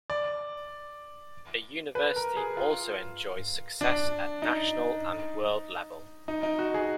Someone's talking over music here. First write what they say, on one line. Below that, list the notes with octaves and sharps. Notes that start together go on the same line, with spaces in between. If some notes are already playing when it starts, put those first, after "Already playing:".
The University also enjoys success at National and World level.
D5
B4
A#4
G#4
F4
D4
D#4
D#4
D#4
F#4
G#4